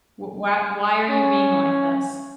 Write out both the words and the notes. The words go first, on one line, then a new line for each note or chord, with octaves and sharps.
Wh why why are you being like this?"
C#4